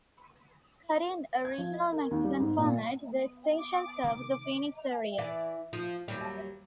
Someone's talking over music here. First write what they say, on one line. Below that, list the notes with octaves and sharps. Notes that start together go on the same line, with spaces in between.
Carrying a Regional Mexican format, the station serves the Phoenix area.
G#6
F3
D#5
A#4
D#2
G3
G#2
A#2
B3
D6
C3 D#3 G#3
E3 D5
F3
D#2 F#3 G3